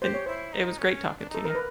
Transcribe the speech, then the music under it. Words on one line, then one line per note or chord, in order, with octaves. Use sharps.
And it was great talking to you.
G4 C5
C#5
E4 C5
D#4
C#4
D4
D4
D#4 A4
A#4
B4